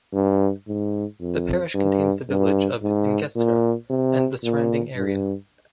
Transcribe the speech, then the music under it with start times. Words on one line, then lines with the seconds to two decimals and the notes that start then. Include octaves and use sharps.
The parish contains the village of Ingestre and the surrounding area.
0.13 G2
0.68 G#2
1.21 F2
1.75 G2
2.29 G2
2.82 G#2
3.36 A#2
3.90 C3
4.44 A#2
4.96 G2